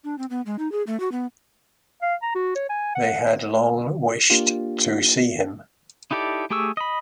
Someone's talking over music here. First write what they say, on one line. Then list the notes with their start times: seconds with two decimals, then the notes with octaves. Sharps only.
They had long wished to see him.
0.04 D4
0.18 C4
0.30 B3
0.46 G#3
0.59 D#4
0.72 G#4
0.87 A3
1.00 F#4
1.12 B3
2.02 F5
2.23 A#5
2.35 F#4
2.55 C#5
2.70 G#5
2.95 F#5
4.30 A#3 D4 F4 G4
6.11 D#4 E4 G4 A4 D5
6.50 A3 G4 G#4 C#6 E6
6.77 D#5 B5